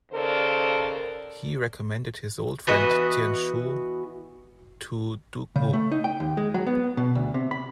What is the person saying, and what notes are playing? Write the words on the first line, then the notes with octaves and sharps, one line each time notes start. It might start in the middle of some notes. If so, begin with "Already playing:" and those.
He recommended his old friend Jian Shu to Duke Mu.
D#2 C#3 A4 A#4 C5 D5
E3 B3 F#4 D#5
C#3
A3
D#4
G5
D#2
G#3
F#3
B3
B2
D2
C3
B5